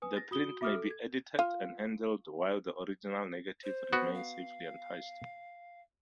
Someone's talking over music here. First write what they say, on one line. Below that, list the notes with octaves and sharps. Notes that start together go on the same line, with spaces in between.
The print may be edited and handled while the original negative remains safely untouched.
B4 G#5 D#6
A6 A#6
F#4 D#6 G7
F#4 E5 D6 D#6 F6
A4
G#6
F4 F5
C5
B3 F#4
F5